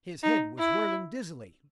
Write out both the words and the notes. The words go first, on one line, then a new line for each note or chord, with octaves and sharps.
His head was whirling dizzily.
D#4
E4